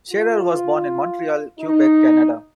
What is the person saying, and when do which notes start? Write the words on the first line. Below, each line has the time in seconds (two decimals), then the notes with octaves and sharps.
Shearer was born in Montreal, Quebec, Canada.
0.10 F4
1.59 D#4